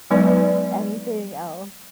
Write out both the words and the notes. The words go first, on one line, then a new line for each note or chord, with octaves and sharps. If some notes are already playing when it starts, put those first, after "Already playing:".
anything else,"
F#3 G#3 B3 D#4 B4 D5